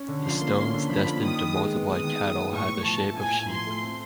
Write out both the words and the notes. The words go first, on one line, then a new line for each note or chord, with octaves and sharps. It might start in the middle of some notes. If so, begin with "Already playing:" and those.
The stones destined to multiply cattle had the shape of sheep.
Already playing: C#4
D3
F3 C6
A#3
C#4
D3
F3 B5
A#3
D#3 D#6
D#3
G#3
B3
D#3 D#6
D#3
G#3
B3
A2 C#6
A2
F3 A5
A3
A2 G#5
A2
F3 C6
A3
C4